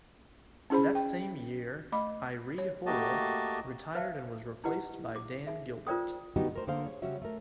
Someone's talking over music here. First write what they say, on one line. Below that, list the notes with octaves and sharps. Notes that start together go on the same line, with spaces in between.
That same year, Irie Horrall retired and was replaced by Dan Gilbert.
C#4 E4 G#4 C5 B5
G5
A3 D#5 B5 D6
C#5
A3 A#3 F#4 G4 D#5 A5
B4 C5 E5 F5 A5
D#4 E4 G4 B4 D#5 F#5
D6
D#4 G#4 E5
F4 A#4 C5 D5 G5 D#6
D3 G3 B3 D#4 F#4 G4
A3 A#4 C5
D3 A#3 G#4 C5 F5
C#5
C#3 G3 C#4 F#4 C#5 E5
A3 A#4